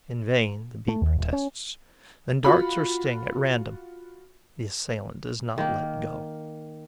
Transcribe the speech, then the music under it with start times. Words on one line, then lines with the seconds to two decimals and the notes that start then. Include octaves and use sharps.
In vain, the Bee protests and darts her sting at random; the assailant does not let go.
0.88 A3
1.02 D#2
1.18 D#1
1.33 C#4
2.44 F4 F#4 B5
5.58 D#3 A#3